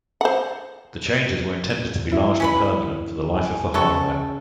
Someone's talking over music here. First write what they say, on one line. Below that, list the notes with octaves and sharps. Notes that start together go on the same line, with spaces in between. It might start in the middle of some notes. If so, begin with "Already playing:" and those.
The changes were intended to be largely permanent for the life of the hardware.
C5 F#5
E4
C#4 B4 B5
G#5
C#3 F#3 G#4 A4 G5 C#6